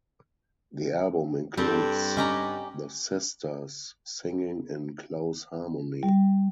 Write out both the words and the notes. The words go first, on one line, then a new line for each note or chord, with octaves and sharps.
The album includes the sisters singing in close harmony.
G2 G3 C4 G4 A4
C#4 G4 D#5 A#5
G3